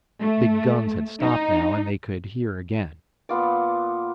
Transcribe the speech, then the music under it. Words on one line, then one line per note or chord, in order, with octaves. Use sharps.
The big guns had stopped now and they could hear again.
A3
D#4
A#2 B3 F4 D5